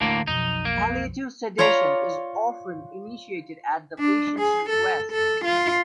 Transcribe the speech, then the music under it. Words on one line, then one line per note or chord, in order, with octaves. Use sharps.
Palliative sedation is often initiated at the patient's request.
D2 A2 D3 A#3
B1 F2 D#4
A#3
F4 C#5 D5 F5 A#5 B5
D4
G#4
A4
A4
F4